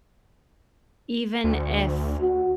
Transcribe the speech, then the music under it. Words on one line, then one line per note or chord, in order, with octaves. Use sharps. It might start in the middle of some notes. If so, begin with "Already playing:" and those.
even if
D2
F#4